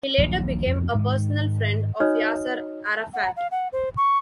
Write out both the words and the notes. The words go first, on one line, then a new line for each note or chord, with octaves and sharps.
He later became a personal friend of Yasser Arafat.
D#1 A#1 F#3
F2
G#2 D#3
D#4 F#4 C#5 D#5 D#6 F6
F#5
F5
F#5
C5
C#6